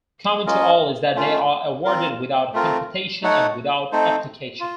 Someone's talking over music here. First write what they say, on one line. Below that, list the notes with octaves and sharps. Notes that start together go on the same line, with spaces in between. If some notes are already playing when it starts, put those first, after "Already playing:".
Common to all is that they are awarded without competition and without application.
C#4 F4 A#4 D#5
A3 C#4 F4
C4 F4 A#4
A3 C4 F4 A#4
A3 D#4 A4 C#5 F#5
A3 C4 D#4 A4 C5
F4